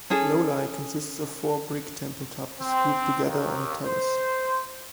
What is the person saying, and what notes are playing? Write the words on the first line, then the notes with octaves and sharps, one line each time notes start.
Lolei consists of four brick temple towers grouped together on a terrace.
C#4 G#4 A4
C4
D#2
C5